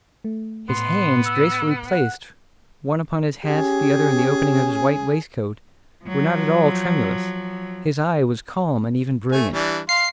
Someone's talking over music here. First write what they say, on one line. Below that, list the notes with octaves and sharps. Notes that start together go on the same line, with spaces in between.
His hands, gracefully placed, one upon his hat, the other in the opening of his white waistcoat, were not at all tremulous; his eye was calm and even brilliant.
A3
A2 B3 C6
E6
F#5
C#4 G4 G#4
F3 F#3
A3 G#5
E3 G3 D4
F5 C6 C7